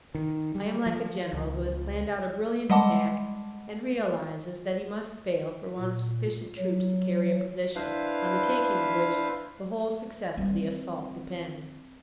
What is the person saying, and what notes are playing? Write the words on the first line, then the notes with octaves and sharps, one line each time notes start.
I am like a general who has planned out a brilliant attack, and realises that he must fail for want of sufficient troops to carry a position, on the taking of which the whole success of the assault depends.
D#3
G3
F3
C#2
G3 G#3 D#5 F#5 A5 D6
A#2
F#3
D4 E4 B4 C5 F5
G3 C4